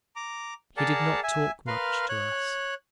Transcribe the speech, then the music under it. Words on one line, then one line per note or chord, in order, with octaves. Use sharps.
He did not talk much to us.
A#5 D6
G#4 A#4 D5 F#5 A5
E5 G#5
A#4 B4 F5 C6
C#5 F#6